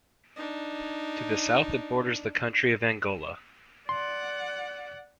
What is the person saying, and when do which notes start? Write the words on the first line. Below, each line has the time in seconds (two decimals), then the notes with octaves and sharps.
To the south it borders the country of Angola.
0.36 D4 D#4
3.89 D5 F#5 C6